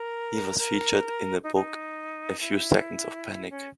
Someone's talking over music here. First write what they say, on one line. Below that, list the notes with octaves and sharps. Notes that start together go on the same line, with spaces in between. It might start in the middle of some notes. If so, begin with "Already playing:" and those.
He was featured in the book "A Few Seconds of Panic".
Already playing: A#4
A#4
D#4
D#4
E4
C#4